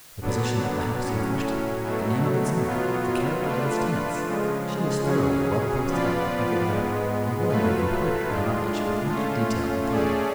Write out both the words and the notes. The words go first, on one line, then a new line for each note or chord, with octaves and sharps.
The position of the house in question; the name of its owner; the character of its tenants; she was thoroughly well posted up in every item, and willingly imparted her knowledge with much detail and comment.
D3 F#3 B3 D4
A2 F#3 C#4
B2 F#3 A3
B2 F#3 B3 F4
A3 D4 F4 B4
C#3 F3 G#3
C#3 F#3 C#4 G#4
F3 B3 F4 B4 D5
G#2 G#3 B3
F#3 A3 F4 B4
A2 G#3 D4 F4
A3 C#4 F4
A3 C#4 G#4 D5